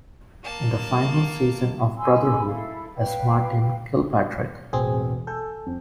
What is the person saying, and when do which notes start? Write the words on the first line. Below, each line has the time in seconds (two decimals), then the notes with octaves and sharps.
In the final season of "Brotherhood" as Martin Kilpatrick.
0.43 A#3 A5
1.97 G#5 B5 C6 E6
2.44 E4 A4 F5
2.96 B4 F5 G5
4.73 E1 A1 C4 G#4
5.27 A4 G#5 E6 G6
5.66 F2